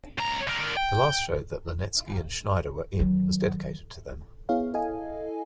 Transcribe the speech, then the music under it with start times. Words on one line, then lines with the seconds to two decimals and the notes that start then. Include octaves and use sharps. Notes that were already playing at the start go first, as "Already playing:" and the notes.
The last show that Linetsky and Schneider were in was dedicated to them.
0.18 C#2 A#5
0.47 D3 A#4
0.77 G5
2.99 D#3 F#3
4.49 B3 E4 G#4 C#5 F5
4.74 E4 A4 D#5 F5 G#5